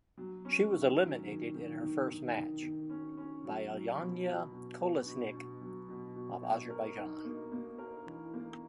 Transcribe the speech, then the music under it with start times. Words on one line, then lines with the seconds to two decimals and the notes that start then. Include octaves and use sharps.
She was eliminated in her first match by Alyona Kolesnik of Azerbaijan.
0.17 F#3
0.45 C#4
0.72 D#3
0.99 F#3
1.27 D#3
1.54 D#3
1.80 D#3
2.08 D#3
2.35 D#3
2.63 D#3
2.90 C#4
3.17 C#4
3.45 F#3
3.71 F#3
3.98 B2
4.26 F#3
4.52 B2
4.80 B3
5.06 B2
5.34 B2
5.61 F#3
5.89 B2
6.15 B2
6.43 B2
6.70 A#4
6.97 D#4
7.25 A#3
7.52 A#3
7.78 A#4
8.06 E3
8.34 A#3